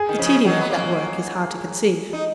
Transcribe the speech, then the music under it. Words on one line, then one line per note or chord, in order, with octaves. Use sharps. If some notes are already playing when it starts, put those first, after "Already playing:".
The tedium of that work is hard to conceive.
Already playing: G#4
D#3
C#3 F3
D#3 F#3
B3
F#3 A#3
D#4